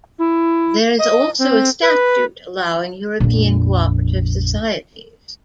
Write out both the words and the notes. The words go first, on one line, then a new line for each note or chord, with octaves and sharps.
There is also a statute allowing European Cooperative Societies.
E4
D#5
C4
B4
A#1 F2